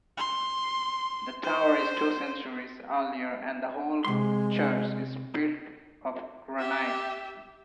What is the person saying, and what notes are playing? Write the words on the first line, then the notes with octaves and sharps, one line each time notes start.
The tower is two centuries earlier and the whole church is built of granite.
C6
C5
C3 G#3 C6
G4 E5